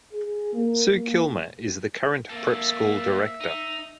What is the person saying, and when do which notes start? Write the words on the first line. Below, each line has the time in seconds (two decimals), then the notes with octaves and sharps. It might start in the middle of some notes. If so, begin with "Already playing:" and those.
Sue Kilmer is the current prep school director.
0.13 G#4
0.52 A#3
0.90 A#3
2.29 A#3 A4 E5
3.41 D#4